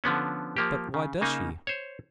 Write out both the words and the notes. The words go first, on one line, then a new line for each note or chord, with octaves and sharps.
"But why does she?"
D3 F3 B3 C#4
F3 A#3 G4
C#3
C#3 A#3 D#4
C5 C#5